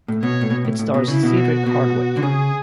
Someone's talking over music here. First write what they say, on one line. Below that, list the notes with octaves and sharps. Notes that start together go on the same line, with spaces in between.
It stars Cedric Hardwicke.
A2
B2 C#5
A2
B2
A2
A2
B2
C#3 E4
B2
F#4
B2
D3
C#3 G#4